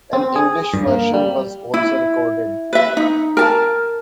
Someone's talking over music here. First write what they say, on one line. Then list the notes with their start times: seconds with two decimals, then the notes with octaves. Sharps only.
An English version was also recorded.
0.13 C4
0.36 G#4
0.74 G2
0.87 A#3
1.14 G3
1.74 E4
2.73 B4 E5
2.97 D#4
3.37 A#4 A5